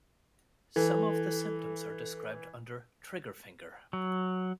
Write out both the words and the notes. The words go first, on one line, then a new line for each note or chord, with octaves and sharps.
Some of the symptoms are described under trigger finger.
E3 A4
F#3